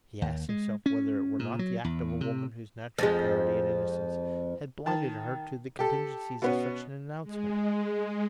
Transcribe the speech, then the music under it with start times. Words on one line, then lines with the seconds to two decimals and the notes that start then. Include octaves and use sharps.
He asked himself whether it were not the act of a woman whose natural purity and innocence had blinded her to the contingencies of such an announcement.
0.22 D#2
0.49 G#3
0.86 C#4
1.39 A#2
1.59 F#3
1.84 E2
2.21 C3
2.98 F2 F3 G#3
4.86 D#3 A5
5.79 G4 A4
6.42 B2 B3 C#4
7.24 G#3